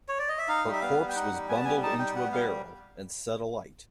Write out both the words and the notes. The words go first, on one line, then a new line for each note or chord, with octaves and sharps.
Her corpse was bundled into a barrel, and set alight.
C#5
D5
D#5
E5
D#4 F5
G3
E5
B3 F5
G3
G5
D#4 F#5
G3
B3 G#5
A5
G3 G#5
D#4 A5
G3 G5
B3 F#5
G3 F5